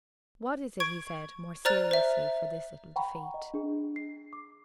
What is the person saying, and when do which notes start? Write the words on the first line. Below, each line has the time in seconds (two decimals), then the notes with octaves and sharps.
"What is it?" he said, more seriously for this little defeat.
0.80 C#6 G#6 D7
1.65 C5 D5 A#5 F6 F#6 A6
1.91 C5 E5
2.96 F#5 G5 A#5 B5 C#6
3.34 D#5
3.54 D4 G#4
3.96 C7
4.33 D6